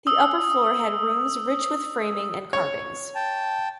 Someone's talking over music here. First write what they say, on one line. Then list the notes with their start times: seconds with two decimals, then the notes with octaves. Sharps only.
The upper floor had rooms rich with framing and carvings.
0.07 D#6 E6
2.53 C#5
3.15 G5 A5